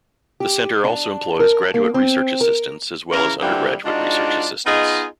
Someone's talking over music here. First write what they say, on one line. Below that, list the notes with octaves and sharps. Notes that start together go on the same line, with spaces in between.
The Center also employs graduate research assistants as well as undergraduate research assistants.
G4
D4
A#4
A#3
C4
A#4
C#3 E3 A#4
D3 E3 F3 G3 A#3 C4
G#2 D4 D#4 F4 F#4 D5
B3 D#4 F4 G#4 D#5